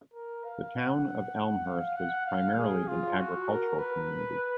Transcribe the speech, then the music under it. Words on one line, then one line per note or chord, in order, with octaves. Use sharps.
The town of Elmhurst was primarily an agricultural community.
A#4
F5
F#5
F#5
F#5
F5
F#5
F5
G#4
F4
F#4
A#4
B4